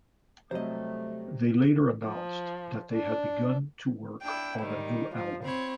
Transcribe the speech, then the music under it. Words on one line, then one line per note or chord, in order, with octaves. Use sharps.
They later announced that they had begun to work on a new album.
C3 F#3 G3 A3 C5 D#5
F3
D4
D4 E4 G5
D#3 G3
F3
C4 C#5 B5